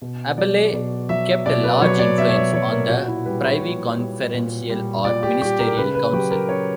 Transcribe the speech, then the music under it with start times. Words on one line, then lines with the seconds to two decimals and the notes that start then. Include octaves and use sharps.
Abele kept a large influence on the Privy Conferencial or Ministerial Council.
0.02 B2
0.38 F#3 D5
0.73 B2 D5
1.09 F#3 E5
1.46 B2 D5
1.64 B4
1.81 F#3 C#5
1.99 D5
2.18 B2 E5
2.29 C#5
2.36 D5
2.53 F#3 C#5
2.72 A#4
2.89 A#2 F#4
3.08 E4
3.25 G3 B4
3.44 C#5
3.62 A#2
3.97 G3
4.34 A#2
4.69 G3
5.05 A#2 D5
5.23 G4
5.42 G3 G4
5.60 A#4
5.77 C#3 B4
5.95 B4
6.13 F#3 G4
6.31 A#4
6.49 C#3 C#5